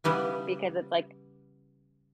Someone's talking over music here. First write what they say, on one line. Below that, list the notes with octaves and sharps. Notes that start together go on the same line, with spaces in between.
because it's, like,
C#3 E3 G3 B3